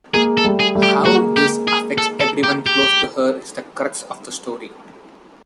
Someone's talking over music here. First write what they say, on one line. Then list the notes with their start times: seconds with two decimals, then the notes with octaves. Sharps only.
How this affects everyone close to her is the crux of the story.
0.14 G#3 A#3 G#4
0.37 A4
0.44 G3 A3
0.60 G#4
0.75 G3 A3
0.83 G4
1.05 G#3 A#3 F#4
1.37 G4
1.67 G#4
1.98 A4
2.21 A4
2.44 G4
2.66 G4